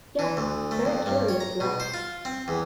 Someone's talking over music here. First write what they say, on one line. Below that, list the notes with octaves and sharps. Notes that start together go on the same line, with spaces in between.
Yes; very curious life.
E3
D2
A3
F2
G2
C#5
A#5
B2
C5
F4
C4
E2